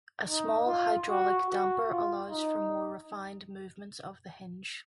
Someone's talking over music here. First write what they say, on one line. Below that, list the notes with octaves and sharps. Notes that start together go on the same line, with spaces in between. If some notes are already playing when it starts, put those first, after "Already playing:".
A small hydraulic damper allows for more refined movements of the hinge.
D#4
F4
F#4
F#4
F4
D#4